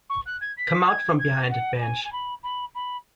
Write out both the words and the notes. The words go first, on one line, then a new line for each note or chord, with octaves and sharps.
Come out from behind that bench.
C#6
F#6
G#6
B6
G#6
G#6
F#5
G#5
G#5
B5
B5
B5